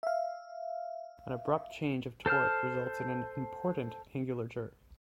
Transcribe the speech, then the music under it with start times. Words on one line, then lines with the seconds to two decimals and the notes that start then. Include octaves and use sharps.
An abrupt change of the torque results in an important angular jerk.
0.03 E5 F5
2.26 A4 C5 A5 F6